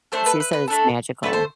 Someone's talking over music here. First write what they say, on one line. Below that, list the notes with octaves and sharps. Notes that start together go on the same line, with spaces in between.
she said it's magical.
A3 D4 A4 C5
B4
B4
B4
A3 D4 A4
A3 D4 A4 B4
C5